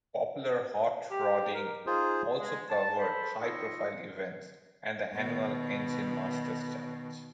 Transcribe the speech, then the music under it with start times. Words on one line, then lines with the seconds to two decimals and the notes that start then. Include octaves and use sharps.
"Popular Hot Rodding" also covered high-profile events and the annual Engine Masters Challenge.
1.11 G4
1.54 A#4
1.87 D#4 F4 G#4 C5
2.38 G#3
2.68 A5
2.99 A4 C5 B5
3.39 F2 D#4 F4 D#5 C#6 E6
5.14 B2 D#3